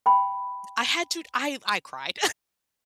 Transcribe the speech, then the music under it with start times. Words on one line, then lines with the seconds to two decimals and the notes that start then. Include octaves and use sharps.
I had to I I cried.
0.06 G5 B5